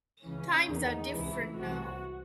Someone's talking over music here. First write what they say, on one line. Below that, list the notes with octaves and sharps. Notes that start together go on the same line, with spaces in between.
Times are different now.
C#2 C#3 E3 C#4
E2 D#3 D#4
C#2 C3 E3 E4
C2 C3 E3 F#4